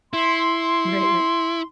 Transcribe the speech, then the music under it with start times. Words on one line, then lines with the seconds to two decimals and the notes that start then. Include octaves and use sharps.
Right, right.
0.13 E4 C6